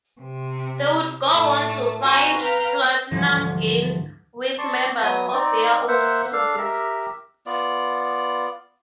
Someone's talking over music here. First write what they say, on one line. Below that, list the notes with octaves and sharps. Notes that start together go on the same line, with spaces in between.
They would go on to found PlatinumGames with members of their old studio.
C3
A2 A3 A5
C4 F#4 C5 G#5 A#5
B4 F5 G5 A#5
D2 G#2 E3 F3 G3 C4
D5 A5 C6 C#6
F#3 B3 D#6
C4 D#4 D5
A#3 C5 E5 F#5
D4 A4 F5
G4 A#4 E5
B3 F4 D5